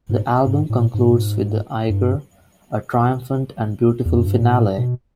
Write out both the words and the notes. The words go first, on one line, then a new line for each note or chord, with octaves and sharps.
The album concludes with "The Eiger", a triumphant and beautiful finale.
G#2
G#2
A2
G#2
G2
E2
F#2
G2
G#2
A2
B2